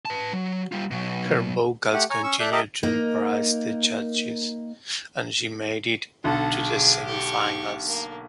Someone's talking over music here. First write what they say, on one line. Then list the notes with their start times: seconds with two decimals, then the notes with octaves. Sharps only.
Her vocals continued to impress the judges, and she made it to the semi-finals.
0.05 B4 A5
0.33 F#3
0.72 G3 F4
0.91 B2 F#3
1.93 A3 G4 F#5
2.10 C#5 G#5 A#5 C#6
2.23 C#4 C#6 E6
2.40 A4 D5 E5 F#6 G6
2.52 G4 A#4 D#5 E5 A5 D6
2.83 A#3 D#4
6.24 B1 D3 A4 F#5
6.66 G#4 D6
7.06 G4 C#6
7.88 A#3